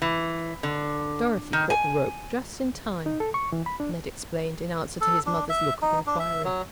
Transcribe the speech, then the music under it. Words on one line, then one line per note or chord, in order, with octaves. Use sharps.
"Dorothy caught the rope just in time," Ned explained, in answer to his mother's look of inquiry.
E3
D3
D#3
G#5
D#4
A4
C#6
E3
B5
D4
A4
D4
E5
D#4
D4
E5
F#3